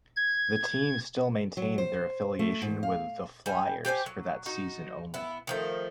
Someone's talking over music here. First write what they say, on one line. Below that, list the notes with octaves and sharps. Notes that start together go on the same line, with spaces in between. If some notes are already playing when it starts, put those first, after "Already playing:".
The team still maintained their affiliation with the Flyers for that season only.
G#6
F#3
C5
A3
G#2
F5
G3 G#5
G4 C5 D5 G#5
F#3
D#4 F#4
B3 E4
D#3 F3 A3